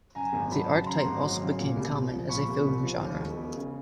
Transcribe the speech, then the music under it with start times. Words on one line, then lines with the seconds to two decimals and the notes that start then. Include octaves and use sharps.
The archetype also became common as a film genre.
0.15 F#2 G#5 A#5
0.33 G#1
0.51 F#3 A5 B5
0.69 C#3
0.86 F#2 A#5 C6
1.05 G#1
1.23 F#3
1.41 C#3
1.59 A#2
1.76 C2
1.95 C2
2.13 F3
2.29 A#2 B5 C#6
2.48 C2
2.65 C2
2.83 F3
3.01 D#2
3.20 E1
3.37 E1
3.55 C#3